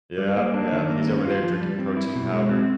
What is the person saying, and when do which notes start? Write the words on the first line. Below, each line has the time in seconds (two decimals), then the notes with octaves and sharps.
Yep, yep. He's over there drinking protein powder.
0.18 G3
0.36 A#3
0.54 D4
0.72 D#3
0.90 A#3
1.08 C#4
1.25 F4
1.44 F3
1.61 G3
1.79 C4
1.97 E4
2.15 B2
2.33 G#3
2.51 C4